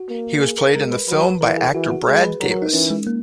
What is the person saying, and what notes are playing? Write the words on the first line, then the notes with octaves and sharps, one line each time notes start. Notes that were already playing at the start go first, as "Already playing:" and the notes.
He was played in the film by actor Brad Davis.
Already playing: F#4
A#3
G#4
A#4
G#3 A#4
B4
F#3 B4
B4
E3 A#4
G#4
E3 F#4
F#4
G#3 G#4
B4
F#3 A#4
A#4
D#4
E3 C#4
G#3
A#3